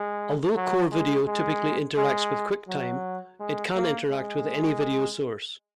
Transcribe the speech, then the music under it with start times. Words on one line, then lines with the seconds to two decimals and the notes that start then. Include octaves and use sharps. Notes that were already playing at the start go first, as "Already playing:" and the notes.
Although Core Video typically interacts with QuickTime, it can interact with any video source.
Already playing: G#3
0.56 F#3
0.92 G#3
1.27 G#3
1.98 G#3
2.68 F#3
3.40 G#3
3.75 A#3
4.11 G#3